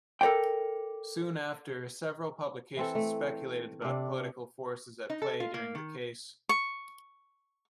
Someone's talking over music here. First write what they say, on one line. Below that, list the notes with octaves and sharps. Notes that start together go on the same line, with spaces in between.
Soon after, several publications speculated about political forces at play during the case.
A4 A#4 C#5 D5 G5
E3 C4 A4
A3
C3 D4
D#4
A4
F4
A#3
D#3
C#6